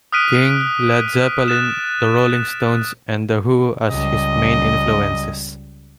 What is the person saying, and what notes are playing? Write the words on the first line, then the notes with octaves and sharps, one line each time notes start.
King, Led Zeppelin, The Rolling Stones, and The Who as his main influences.
D#6 F6 F#6 B6 D7 D#7
F#6 A6 E7
C#2 G3 D#5